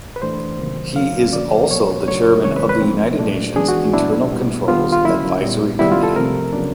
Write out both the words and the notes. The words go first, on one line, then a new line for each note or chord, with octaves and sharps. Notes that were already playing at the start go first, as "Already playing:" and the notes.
He is also the chairman of the United Nations Internal controls Advisory Committee.
B4
A2 E3 A3 D4 C5
C3 D#3 F#3 A#3
D3 F#3 A#3 C#4 F5
D3 F3 A#3 D5
B2 F#3 B3 C#5
C#3 F#3 A3 D4 C#5
C#3 E3 G#3 C4 C#5
B4
B4
A2 F3 A3 C4
A#2 F#3 A3 D4
E3 G#3 B3 D4 G#4
F#4
A#2 F#3 B3 D4 E4
B2 G3 B3
D#3 G3 B3 D4 F4
F4
D3 F#3 A#3 C#4 E4
A#2 G3 B3
C3 D#3 G3 B3 E4
F4
A4
C3 F3 A3 C4 A#4
C#3 F#3 B3 D4